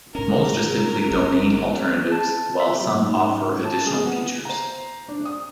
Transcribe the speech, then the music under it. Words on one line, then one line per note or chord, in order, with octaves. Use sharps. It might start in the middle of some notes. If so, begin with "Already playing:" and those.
Most are simply domain alternatives while some offer additional features.
G#2 C#4 A#4
G1 D3 C#4
A5
E5
F#3
G#2
A5
G#4
B3
C5 A#5
D4
D#6